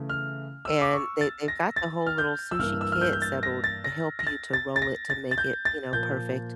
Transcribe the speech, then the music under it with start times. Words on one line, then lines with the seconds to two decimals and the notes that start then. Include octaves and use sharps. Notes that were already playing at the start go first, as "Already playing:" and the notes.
And they they've got the whole little sushi kits that'll help you to roll it to make it, you know, perfect
Already playing: C#3 E3 A3
0.09 F6
0.65 E6
0.81 D6
0.93 C#6
1.21 A6
1.48 A#6
1.76 A6
2.07 F6
2.18 G6
2.51 E6
2.59 G2 E3 A#3 F6
2.81 E6
2.92 F6
3.01 G6
3.12 G6
3.22 A6
3.43 A#6
3.64 A6
3.84 A#6
4.19 A#6
4.27 A6
4.53 A6
4.76 A6
4.82 A#6
5.10 A6
5.31 A6
5.38 G6
5.65 A6
5.93 A#2 F3 A#3 G6